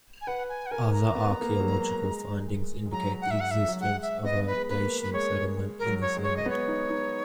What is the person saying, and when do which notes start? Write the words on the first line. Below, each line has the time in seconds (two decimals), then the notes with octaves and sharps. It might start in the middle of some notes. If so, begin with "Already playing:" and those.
Other archaeological findings indicate the existence of a Dacian settlement in this area.
0.21 G#5
0.27 B4 F#5
0.49 G#5
0.66 F#5
0.71 A#4 G#5
0.86 G#5
0.93 A#5
1.15 B3
1.31 B3
1.41 A#3
1.50 G#3
1.60 F#3
2.04 G#3
2.48 G#3
2.86 G#3
2.92 F#3 A#5
3.21 F#5
3.31 E5
3.40 F#5
3.51 E5
3.68 F#3
3.81 G#3 F#5
4.02 E5
4.24 B3 D#5
4.47 B4
4.57 G#3
4.69 A#3 B4
5.01 B4
5.13 G#3 C#5
5.57 G#3
5.79 A#4
5.86 F#3
6.01 C#5
6.17 G#3
6.23 C#5
6.37 D#5
6.46 B3 C#5
6.68 D#4
6.90 D#4